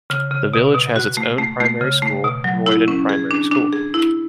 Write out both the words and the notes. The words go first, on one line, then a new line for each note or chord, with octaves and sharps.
The village has its own primary school, Roydon Primary School.
C#3
C#3
B2
B2
F#4
A3
A3
A3
C#3
A3
B2
F#3
E4
C#4
G#4
D4
D4
G#4
E4